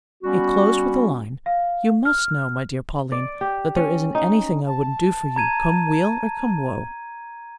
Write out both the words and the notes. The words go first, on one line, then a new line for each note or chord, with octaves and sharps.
It closed with the line, "you must know, my dear Pauline, that there isn't anything I wouldn't do for you, come weal or come woe."
G3 B3 C#4 F#4
F5
F6
D5
G4
C#4
D#4
A5
A#5 G#6 D#7